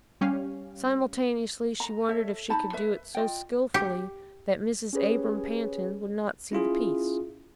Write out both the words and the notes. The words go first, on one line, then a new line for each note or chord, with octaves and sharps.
Simultaneously she wondered if she could do it so skilfully that Mrs. Abram Pantin would not see the piece.
G3 C#4 G4 F5
A#5
A4 C#5 E5
D#4 A5 B5
B4 E5
F4 D#5 G5
G4
C#4 G4 G#4 B4 C#5
C#4 E4 F4 G#4